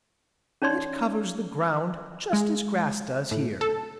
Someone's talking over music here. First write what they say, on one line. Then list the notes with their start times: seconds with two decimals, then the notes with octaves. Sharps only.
It covers the ground just as grass does here.
0.62 C#4 D#4 C#5 D5 C6
2.33 G#3
3.31 A2
3.61 A4